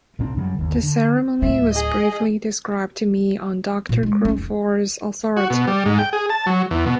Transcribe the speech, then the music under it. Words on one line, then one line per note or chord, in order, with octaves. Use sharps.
The ceremony was briefly described to me on Dr. Crawford's authority.
C2 A#2 C4 D4
F#2 C#3 F#3 G3
G1 D#2
D3
D1 F4 E5
G#4 D#5
A#2
G#3
C#4
F1
F#4
B2
G3
G#2
G5
G#4
A5
F#3
E2
B2